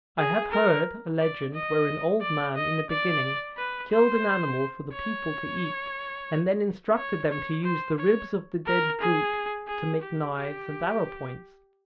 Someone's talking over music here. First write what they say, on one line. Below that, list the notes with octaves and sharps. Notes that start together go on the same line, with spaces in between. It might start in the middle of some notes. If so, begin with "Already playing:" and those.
I have heard a legend wherein OLD-man, in the beginning, killed an animal for the people to eat, and then instructed them to use the ribs of the dead brute to make knives and arrow-points.
G#4
A#4
D5
D#5
D5
D#5
D5
B4
C5
C#5
C#5
C#5
C5
C#5
A#4
G#4
G#4
G4
G4